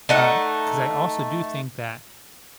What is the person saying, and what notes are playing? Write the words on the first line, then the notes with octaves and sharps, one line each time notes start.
uh 'cause I also do think that
A3 D#4 F#5